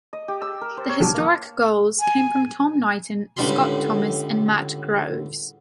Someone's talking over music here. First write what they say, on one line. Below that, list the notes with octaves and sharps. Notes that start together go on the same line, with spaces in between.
The historic goals came from Tom Knighton, Scott Thomas and Matt Groves.
D#5
G4
E6
A#4
C5
C#5
D4
A#3
G#5
C#2 A2 D3 G3 B5 C6